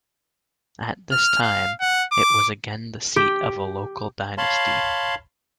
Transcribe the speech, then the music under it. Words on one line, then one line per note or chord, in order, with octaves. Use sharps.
At this time, it was again the seat of a local dynasty.
F6
F5
F#5
D6
G4
C#5 F5 A5 B5 C6